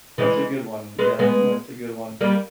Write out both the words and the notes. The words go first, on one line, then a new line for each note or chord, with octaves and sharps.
that's a good one, yup, that's a good one.
E3 G#3
G#3 B3
G#3 B3
G3 A#3